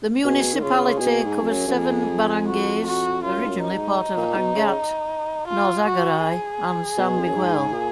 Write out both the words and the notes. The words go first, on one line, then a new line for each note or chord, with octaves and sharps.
The municipality covers seven barangays, originally part of Angat, Norzagaray, and San Miguel.
B2 G#4
D#3
C#3 F4
B2 G#4
G#2
F2 G#4
F#2
F#2
F2
F#4
F#4
F#2 F4
G#2
F#2
D#4
G#2
A#2
B2
C#3
F4
F#4
G#4
B2
F2
F#2
G#2
A#2